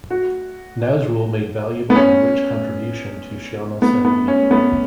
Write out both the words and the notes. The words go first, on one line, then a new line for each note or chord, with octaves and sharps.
Nazrul made valuable and rich contribution to Shyama Sangeet.
F#4
B3
C#4
B3
B3
C#4
B3